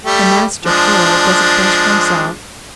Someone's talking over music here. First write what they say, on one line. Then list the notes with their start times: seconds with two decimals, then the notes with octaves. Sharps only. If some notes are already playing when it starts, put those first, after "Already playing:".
The master, sure, does his best for himself!
0.05 G3 A3 G4
0.65 F3 G#3 D4